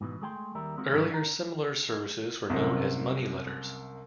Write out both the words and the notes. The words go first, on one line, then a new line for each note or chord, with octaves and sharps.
Earlier similar services were known as "Money Letters".
G#2 B2 E3
G#3 A3 G#4 G5 A#5 C6
D#2 G3 A#4 E5
G#3 A#3 C4 F4 F#4
G#2 F#3 G#3 D4
D4 F#5 A#5
C2 F#2